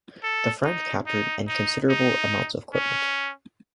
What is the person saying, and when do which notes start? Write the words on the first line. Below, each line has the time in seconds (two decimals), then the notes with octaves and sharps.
The French captured and considerable amounts of equipment.
0.23 A4
0.65 D#4
1.07 D#4
1.48 D#4
1.89 D#4
2.73 C#4